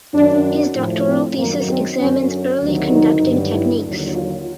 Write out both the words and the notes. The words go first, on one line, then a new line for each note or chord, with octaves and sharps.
His doctoral thesis examines early conducting techniques.
F#2 D#3 F#3 D4
A2 F3
C4
F#2 D#3 F#3 A#3
C4
F#2 D3 F#3 C#4
D2 C3 D#3 F#3
D#4
G2 D3 F#3
E4
D#2 D3 F#3
F4